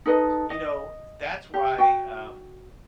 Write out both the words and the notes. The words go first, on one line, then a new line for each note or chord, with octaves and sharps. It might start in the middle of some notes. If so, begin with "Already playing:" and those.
you know, that's why, um,
D#4 A4 B4 D#5
D#5
G4
F#4 G5